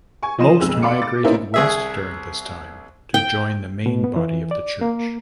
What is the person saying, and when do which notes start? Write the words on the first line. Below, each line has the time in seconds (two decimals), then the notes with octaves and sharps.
Most migrated west during this time to join the main body of the church.
0.23 G#5 C#6
0.38 F3 D#5 C6 D#7 E7
0.60 B1 F2 G#3 E6
0.82 D5 F5 B5 C6 D6 C#7
1.02 D6 A6
1.24 A#3 C#4 D#4 E4 A#4 C5
1.54 C2 G#4 E5
3.14 G5
3.86 B2
4.04 B3
4.16 E3
4.51 D5
4.81 A#3